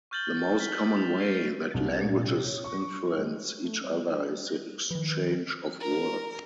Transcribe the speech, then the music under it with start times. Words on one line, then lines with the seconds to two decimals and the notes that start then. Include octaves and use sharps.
The most common way that languages influence each other is the exchange of words.
0.11 C#6 F6 G6 A6 F#7 G7
0.60 B6 G7
0.96 E7 F7
1.20 G6 C7
1.74 C2
2.04 A#2
2.23 C3
2.44 C#5
2.64 C#6
3.18 G#3
3.65 A3
3.85 G3
4.91 D#3 F3 B4
5.80 A#4